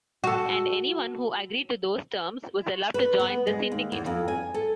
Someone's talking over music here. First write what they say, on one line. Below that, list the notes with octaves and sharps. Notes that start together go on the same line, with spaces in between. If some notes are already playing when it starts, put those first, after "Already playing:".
And anyone who agreed to those terms was allowed to join the syndicate.
F#4 A4
B4
B3
G#3
D#2
E2
F2
G#5
A4